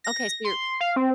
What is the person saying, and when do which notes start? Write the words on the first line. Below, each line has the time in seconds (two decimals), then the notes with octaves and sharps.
Okay, so your
0.04 A#6
0.45 C6
0.81 F5
0.96 C4